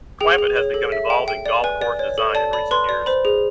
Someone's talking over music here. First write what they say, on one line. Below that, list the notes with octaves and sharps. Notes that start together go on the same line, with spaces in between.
Clampett has become involved in golf course design in recent years.
G#4 G5
G#4
C#5
A4
E5
G5
G5
D5
B4 G#5
D5
C#5
A4
D5 A5
D5 B5
B4 C6
D5
C5 B5
G#4